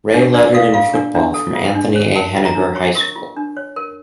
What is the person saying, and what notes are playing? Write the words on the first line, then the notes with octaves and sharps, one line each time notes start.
Ray lettered in football from Anthony A Henninger High School.
D4
D4 D5
A4 F5
F4 F5
D4
D4
A4
F4
D4
C#5
A#4 A5
F4
A#5
D4
C#5 C#6
A#4 C#6
F4
D4
C#5
A#4